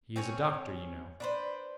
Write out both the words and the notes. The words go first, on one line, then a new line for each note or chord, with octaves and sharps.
He is a doctor, you know.
C4 C#4 C#5
D4 B4 C5